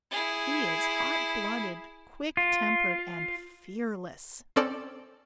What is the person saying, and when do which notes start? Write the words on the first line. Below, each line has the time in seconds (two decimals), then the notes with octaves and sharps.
He is hot-blooded, quick-tempered and fearless.
0.11 E4 G#4
2.37 F4
4.56 C4 C#4 A4 D5